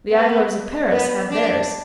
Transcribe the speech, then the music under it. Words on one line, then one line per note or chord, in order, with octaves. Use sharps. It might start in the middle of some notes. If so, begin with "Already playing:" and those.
The idlers of Paris had theirs.
B3
B3
D4